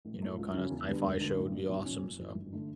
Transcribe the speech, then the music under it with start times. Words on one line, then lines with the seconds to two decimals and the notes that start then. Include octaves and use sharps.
you know, kinda sci-fi show would be awesome, so.
0.05 A1
0.22 A2 F#3 A3
0.38 C#2
0.54 C#3 F#3 C#4
0.70 E2
0.86 D3 G3 B3 D4
1.03 E1
1.20 D2 D3
1.36 A1
1.52 G2 D3
1.69 B1
1.85 B2 F#3 C#4
2.02 F#1
2.18 F#2 E3
2.35 G1
2.53 D3 A3